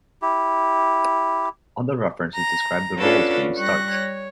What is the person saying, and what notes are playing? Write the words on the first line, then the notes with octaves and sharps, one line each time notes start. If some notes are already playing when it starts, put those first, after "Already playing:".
Other references describe the rolls being starched.
E4 G4
A#5
C#4 D4 F4 F#4 A4 B4
G3 C#6 F#6 A#6
C#5